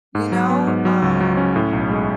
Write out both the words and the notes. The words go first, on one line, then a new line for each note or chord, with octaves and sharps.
you know? Um,
G#2
F#3
B3
G#2
F#3
C#2
F#3
C#4
A2
B1
G#3